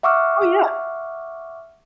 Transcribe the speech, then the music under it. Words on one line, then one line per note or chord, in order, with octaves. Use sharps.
Oh, yeah.
E5 F#5 C#6 D6 E6 F6